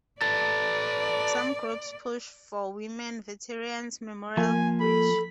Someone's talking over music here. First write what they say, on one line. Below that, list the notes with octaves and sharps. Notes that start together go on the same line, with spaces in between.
Some groups pushed for "Women Veterans Memorial Bridge".
A4 B4 D5 A6
F3 A#3 G#5
A4 B5